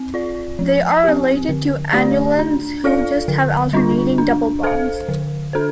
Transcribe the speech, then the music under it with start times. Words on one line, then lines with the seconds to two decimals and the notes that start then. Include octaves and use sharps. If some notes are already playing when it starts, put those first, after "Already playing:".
They are related to annulenes who have just alternating double bonds.
Already playing: C4
0.14 F4 D5
0.59 F3
1.04 C4 G4
1.49 D3
1.93 A3 D4 G4 D5
2.39 D4
2.84 F4 A4 D5 F5
3.28 D3
3.73 G3 D4 F4
4.18 D4
4.63 A4 C5 F5
5.08 D3
5.53 D4 A4 C5